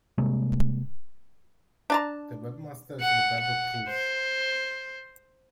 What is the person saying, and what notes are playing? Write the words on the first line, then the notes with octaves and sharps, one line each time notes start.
The webmaster is Roberto Cruz.
C3 G3 G#3 A#3
D4 A5 A#5
F#5
F#5
C5